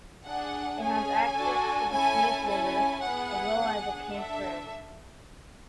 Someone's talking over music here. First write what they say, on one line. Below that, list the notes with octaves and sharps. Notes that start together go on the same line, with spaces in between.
It has access to the Snake River, as well as a campground.
D4 G#4 F#5
C#4 G#4 G#5
D4 F#4 A4
C#4 E4 A4 G#5
C#4 E4 A4 G#5
B3 E4 G#4 F#5
D4 G#4
D4 A4 E5